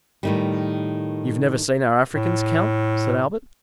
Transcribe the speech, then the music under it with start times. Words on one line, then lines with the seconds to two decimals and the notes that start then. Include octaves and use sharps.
"You have never seen our Africans, count?" said Albert.
0.23 A2 D#3 G3
2.13 A2